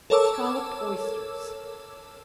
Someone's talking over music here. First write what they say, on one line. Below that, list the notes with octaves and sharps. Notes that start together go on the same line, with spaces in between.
Scolloped Oysters.
A4 A#4 C#5 A5 D6 E6